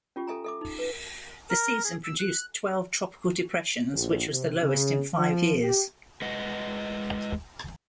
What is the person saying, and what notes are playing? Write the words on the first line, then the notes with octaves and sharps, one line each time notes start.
The season produced twelve tropical depressions, which was the lowest in five years.
C#4 F4 G4
A4 E5 G#5 A#5
A4 E5 D6
D#4
B4
A#4
G#4
E6
F#6
A#1
C3
C#3
F3
G4
G#3 B4 D#5 F#5